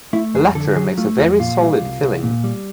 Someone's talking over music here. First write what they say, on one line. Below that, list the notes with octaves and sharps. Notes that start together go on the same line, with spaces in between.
The latter makes a very solid filling.
A3 E4
F2 G#4
D3 A4
F#3 G#4
A3 F4
F2 F4
A#2 F4
G3
C2
C2
A#2
G3